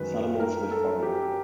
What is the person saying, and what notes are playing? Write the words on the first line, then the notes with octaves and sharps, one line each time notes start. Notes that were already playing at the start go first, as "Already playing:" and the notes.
Salomon Smith Barney.
Already playing: F#2 D#3 G#3 B4
A#4
A4
G4